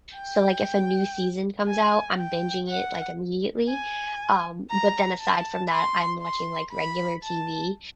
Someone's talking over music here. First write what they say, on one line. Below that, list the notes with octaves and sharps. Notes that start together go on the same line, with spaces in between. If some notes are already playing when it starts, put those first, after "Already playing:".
So, like, if a new season comes out, I'm binging it, like, immediately, um, but then aside from that, I'm watching, like, regular TV,
G5
G#5
G5
F#5
G#5
A#5
A5
C6
C6
B5
A5